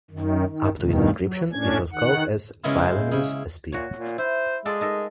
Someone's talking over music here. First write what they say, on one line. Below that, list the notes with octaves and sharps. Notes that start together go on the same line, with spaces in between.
Up to its description it was called as "Pylaemenes" sp.
F#2 D#3
D#3
D2 G2 B2 D#3
F#3
A2 C#4 D4 G#6
D#3 F#5
C#3 G#3 B3 E4 F4
C5
C#3 E4
A#2 F#4 C#5
A#2
E4 C5
G#3 F4 A4 D5
D#4 A4 A#4